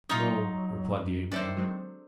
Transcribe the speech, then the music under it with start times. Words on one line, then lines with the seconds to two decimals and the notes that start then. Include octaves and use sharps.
"No," replied the ape-man.
0.09 F#3 D#4 F4 C#5 E5 D#6
1.32 D#3 C#4 D4 A4 C5 D5 E5
1.57 F#3 G#3 C4